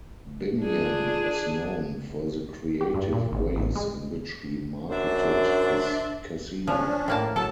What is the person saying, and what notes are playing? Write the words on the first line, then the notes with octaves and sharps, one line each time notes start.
Binion was known for the creative ways in which he marketed his casino.
D4 F4 G#4
G4
G2
A#2
G#1
A1
G#3
F#2 D4 C5 E5
F3 C#4 D4
A2 A#3 A5
F#3 A4 A5